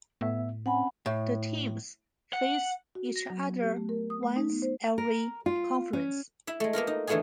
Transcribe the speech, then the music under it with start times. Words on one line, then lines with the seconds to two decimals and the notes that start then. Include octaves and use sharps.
The teams face each other once every conference.
0.21 A2 B3 E5
0.66 C4 C#4 F#5 G#5 B5
1.06 A2
2.33 F#5
2.95 F#4
3.16 A#6
3.30 F#3
3.46 B3
3.61 G4
3.76 A3
3.89 A#4
4.10 D#6
4.23 A3
4.36 D#4
4.50 B3
4.62 C5
4.98 A#4
5.46 F4
5.93 C#4
6.47 E4 E5
6.60 G#3 A3
6.73 A#3 B3 F4 A#4
6.87 D#4
7.07 D3 E3 A3 B3 F4 G#4